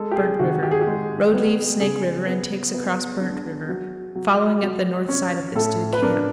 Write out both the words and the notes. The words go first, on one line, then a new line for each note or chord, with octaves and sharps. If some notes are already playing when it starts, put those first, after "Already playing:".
Burnt River.--Road leaves Snake River, and takes across Burnt River, following up the north side of this to the camp.
Already playing: G#3 A4
G4
G#4
D#3 F#4
G4
G#4
G4
G#3
B3
C#3 G#4
B3
B3
D4
F#3
F#3
F#3
C#4
A2 A4
B4
D4 A#4